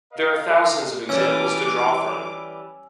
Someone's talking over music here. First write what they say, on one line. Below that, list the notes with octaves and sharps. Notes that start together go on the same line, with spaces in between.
There are thousands of examples to draw from.
A#4 D#5 F5
E3 G3 C#4 G#5 D6 E6 G#6